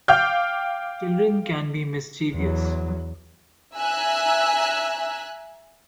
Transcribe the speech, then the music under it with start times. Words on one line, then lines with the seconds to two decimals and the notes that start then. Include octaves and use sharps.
Children can be mischievous.
0.08 F5 G5 D6 F6 G6
2.34 E2 F#3
3.76 E5 G#5 A#5 E6 F#6